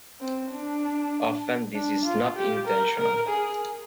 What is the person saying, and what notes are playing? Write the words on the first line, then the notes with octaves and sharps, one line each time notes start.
Often, this is not intentional.
C4
D4
D4
F4
G4
A#4
A#4
G#4